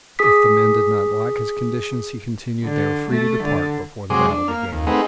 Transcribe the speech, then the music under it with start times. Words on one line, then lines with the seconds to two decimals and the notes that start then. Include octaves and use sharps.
If the men did not like his conditions, he continued, they were free to depart before the battle began.
0.19 G#4 D#6 B6
2.64 D3
3.10 A3
3.43 D3
4.10 C3 F#3 G#3 G#4 C6 D6
4.30 D4
4.48 A#3 F6
4.72 D#2
4.87 A3 C4 D#4 G#4 B4 F#5